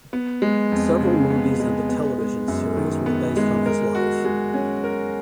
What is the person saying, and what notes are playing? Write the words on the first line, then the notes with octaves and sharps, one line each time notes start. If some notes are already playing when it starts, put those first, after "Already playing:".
Several movies and a television series were based on his life.
B3
G#3
F2
C#3
B3
G#3
B3
G#3
F#2
D#3
B3
G#3
A#4
F#4
G#3
C#4
A#4